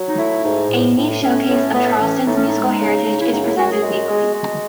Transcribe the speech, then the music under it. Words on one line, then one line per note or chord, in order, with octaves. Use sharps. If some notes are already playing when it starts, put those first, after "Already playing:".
A unique showcase of Charleston's musical heritage is presented weekly.
Already playing: F#3
D#4
A3 E4
G#2 D#4
A2
A2
A2 C#4
A2
A2 B3
E3 C#4
A2 D#4
C#4
D#4
G#3
C#3
C#3
E4
F#2 D#4
E4
F#2 F#4
G#4
G#3 F#4
G#3
G#3